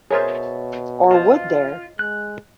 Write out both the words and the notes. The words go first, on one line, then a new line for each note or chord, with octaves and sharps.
Or would there?
B2 G#4 A#4 C5 C#5 E5 A6
F4 C5 D#5 A5
G#3 F#6